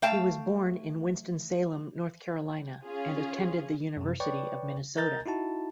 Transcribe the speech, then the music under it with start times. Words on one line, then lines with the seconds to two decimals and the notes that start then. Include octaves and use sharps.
He was born in Winston-Salem, North Carolina and attended the University of Minnesota.
0.02 A3 F5 G5 A5
2.83 C#4 F4 G#4
3.97 F#2 C3
4.20 B4 C#5 D5 G5 C#6
4.97 A#4 D#5 A#5 G6 A6
5.26 D#4 E4 F#4 A5